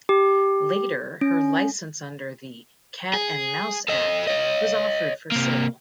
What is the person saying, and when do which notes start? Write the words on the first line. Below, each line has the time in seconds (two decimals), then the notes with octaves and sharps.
Later, her licence under the "Cat and Mouse" Act was offered for sale.
0.09 G4
1.21 C#4
3.14 G#4
3.88 A4 D#5
4.28 C#5 D#5
5.32 C3 A#3